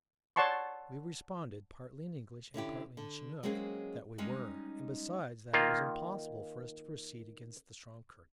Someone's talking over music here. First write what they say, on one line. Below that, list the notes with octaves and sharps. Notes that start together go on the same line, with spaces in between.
We responded, partly in English and partly in Chinook, that we were, and besides that it was impossible for us to proceed against the strong current.
C#5 D5 F#5 A5 C6 C#6
D3 C#4 E4 G4
D3
F#3 G#3 A#3 C4 C#4 G#4
G3 G#3 C#4 D#4
D#3 A#3 F4